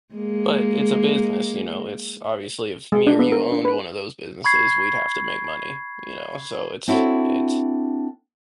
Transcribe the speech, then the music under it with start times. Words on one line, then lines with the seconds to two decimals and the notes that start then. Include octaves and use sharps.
but it's a business, you know, it's obviously if me or you owned one of those businesses, we'd have to make money, you know, so it's it
0.14 G#3 A#3
2.92 G#3
3.07 D4
3.19 B3
3.32 A#4
3.52 D4
3.65 B4
4.44 B5 C#6 G#6 C7
6.88 C4 D4 E4 F#4 A4 C#5